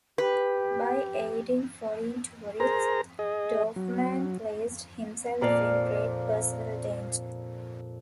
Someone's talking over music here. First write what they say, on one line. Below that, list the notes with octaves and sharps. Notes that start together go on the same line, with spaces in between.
By aiding foreign tourists, Dorfman placed himself in great personal danger.
G4 B4
G#4 A#4 C5 A#5
G#4 D#5
F#3
F2 A#2 D5 F5